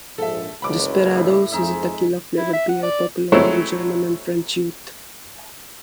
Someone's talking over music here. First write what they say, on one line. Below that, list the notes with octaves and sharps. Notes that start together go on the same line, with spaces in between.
Desperados is a tequila-flavoured beer popular among German and French youth.
A#1 G#2 A4 E5
F#1 C#2 B5 D6
A2
F2 G#3 D#4 E5
E4
E5
F#5
D5
F#3 G#3 A3 C4 C#4 E4